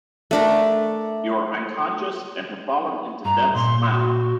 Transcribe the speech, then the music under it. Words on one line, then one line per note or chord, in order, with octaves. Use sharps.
You are unconscious, and have fallen into Death's mouth.
A3 D4 A#4
G2 A#5
A#2 C6
F#4